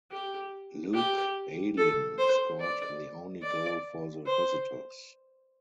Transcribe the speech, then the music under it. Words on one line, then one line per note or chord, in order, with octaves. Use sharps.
Luke Ayling scored the only goal for the visitors.
G4
G4
A4
C5
D5
D5
C5